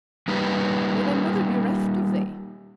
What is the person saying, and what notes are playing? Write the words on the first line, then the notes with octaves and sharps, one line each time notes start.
May thy mother be reft of thee!
G3 A#3 D#4 G4 B4